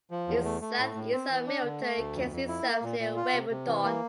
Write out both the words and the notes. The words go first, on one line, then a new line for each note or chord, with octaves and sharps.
It is south-east of Milton Keynes itself, near Wavendon.
F3
E2
A3
A3
A2
A2
C4
E3
D4
D3
A3
D2
F2
F2
E4
A#3
A#2
A#2
F4
C3
C3
E3
A#3